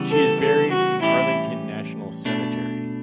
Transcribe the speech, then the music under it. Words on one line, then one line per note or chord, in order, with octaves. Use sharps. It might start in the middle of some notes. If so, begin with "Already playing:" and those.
She is buried in Arlington National Cemetery.
Already playing: C#3 E3 G3 B3
A4
A4
F#4
A2 E3 G3 C#4 E4 G4
B2 A3 D4